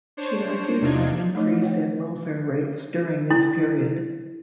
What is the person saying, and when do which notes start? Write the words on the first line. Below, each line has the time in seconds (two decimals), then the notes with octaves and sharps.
She argued for an increase in welfare rates during this period.
0.17 D4 C5 C#5
0.80 E2 C3 D4 D#4 F4 G#6
1.34 F3 A3 D#4 C#5 D#5 D6
1.62 C#5 F#5 G5
3.31 E4